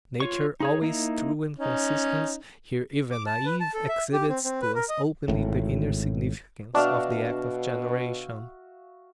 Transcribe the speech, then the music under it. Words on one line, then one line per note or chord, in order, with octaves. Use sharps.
Nature, always true and consistent, here even naive, exhibits to us openly the inner significance of the act of generation.
F4 C#5 C#6
D#4 G#4 C#5
A#3 D#4 E4
C#4 D#4
D6
A5
B4
A5
A4
E5
G4
C4
C4
B4
A#4
D#5
G#1 A2
B2 D4 F#4 E5 F5